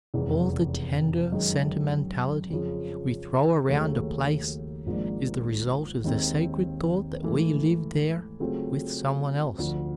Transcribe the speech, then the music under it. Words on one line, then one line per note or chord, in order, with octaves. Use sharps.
All the tender sentimentality we throw around a place is the result of the sacred thought that we live there with some one else.
F1 E2 C#3 E3 G#3
F#2 D#3 G#3
F2 C#3 F3
D#2 C#3 F#3 A3
G#1 G#2 F3 A#3 D4
D#2 D#3 G#3 C4
G#2 E3 A3
C#3 F#3 A3 C4 F4
D2 D3 F3